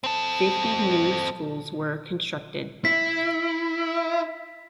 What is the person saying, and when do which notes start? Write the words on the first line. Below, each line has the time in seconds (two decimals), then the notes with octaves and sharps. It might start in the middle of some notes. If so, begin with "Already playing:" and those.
Fifty new schools were constructed.
0.04 C4 A4
2.85 E4 B6